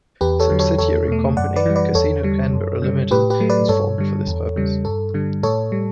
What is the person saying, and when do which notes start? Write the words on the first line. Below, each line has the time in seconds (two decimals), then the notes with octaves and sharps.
A subsidiary company, Casino Canberra Limited was formed for this purpose.
0.21 E2 G4 B4
0.40 A4 C#5
0.50 D3 F#3
0.59 A4 C#5
0.78 E2 A4 C#5
1.08 B2 A3
1.37 F#2 D5 F#5
1.56 B4 D5
1.66 E3 G3
1.76 B4 D5
1.95 E2 A4 C#5
2.24 D3 G3
2.53 F#2
2.82 C#3 G3
3.11 A2 G4 B4
3.30 G4 B4
3.40 F#3 A3
3.50 B4 D5
3.69 G2 A4 C#5
3.98 D3 G3
4.27 E2
4.56 C#3 G3
4.85 G2 A4
5.14 D3 G3
5.43 A2 A4 C#5
5.72 G3